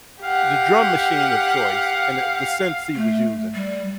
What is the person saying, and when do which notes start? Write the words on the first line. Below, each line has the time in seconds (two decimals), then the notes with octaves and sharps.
the drum machine of choice and the the synths he was using.
0.23 G4 F5 F#5
2.96 A3
3.55 G3